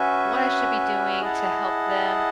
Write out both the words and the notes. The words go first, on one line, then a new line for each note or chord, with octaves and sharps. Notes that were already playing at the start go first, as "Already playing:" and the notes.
what I should be doing to help them
Already playing: C#4 F#4 B4 E5 G#5
E4 G#4 D#5 F#5 A5